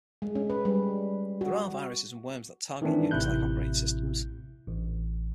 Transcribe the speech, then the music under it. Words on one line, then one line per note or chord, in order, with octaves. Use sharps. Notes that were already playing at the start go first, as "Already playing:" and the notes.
There are viruses and worms that target Unix-like operating systems.
G#3
C#4
B4
G3
F#4
D#3 E3 A3 C4 D4
A1 A2 C3 E4 F#6 G6
A1